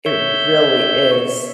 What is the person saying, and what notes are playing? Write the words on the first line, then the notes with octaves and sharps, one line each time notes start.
It really is.
C#5 E5 G6